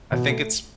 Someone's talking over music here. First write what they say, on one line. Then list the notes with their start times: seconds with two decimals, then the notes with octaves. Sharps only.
I think it's
0.12 B2
0.30 A3